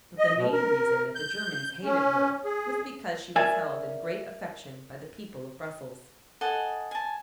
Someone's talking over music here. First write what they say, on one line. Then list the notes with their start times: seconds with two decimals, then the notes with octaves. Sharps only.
But the main reason that the Germans hated her was because she was held in great affection by the people of Brussels.
0.18 D#5
0.37 B2
0.53 A#4
1.15 G6
1.84 C#4
2.44 G#4
3.36 A#4 D5 E5 G#5
6.41 A4 D#5 F#5 G#5
6.91 G#5 A5